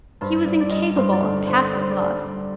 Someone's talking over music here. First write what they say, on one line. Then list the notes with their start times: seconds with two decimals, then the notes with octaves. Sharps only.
He was incapable of passive love.
0.21 G2 C5
0.45 G2 D5
0.60 D5
0.71 G3 D#5
0.96 G2 C5
1.12 D5
1.21 D3 C5
1.47 D3 C5
1.72 G3 D5
1.81 C5
1.90 D5
1.98 G3
2.23 G3